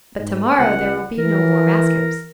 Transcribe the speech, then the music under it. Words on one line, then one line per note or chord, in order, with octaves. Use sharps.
But to-morrow, there will be no more maskers.
G#2
C#2 F#5
E3 A#4